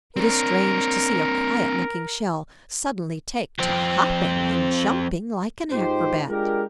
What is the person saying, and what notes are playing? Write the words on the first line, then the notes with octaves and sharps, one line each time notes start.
It is strange to see a quiet-looking shell suddenly take to hopping and jumping like an acrobat.
C4 D4 A#4
F2 C4
G#2 D#4 F4 G4 C5
G#3 D4 F4 G4 A#4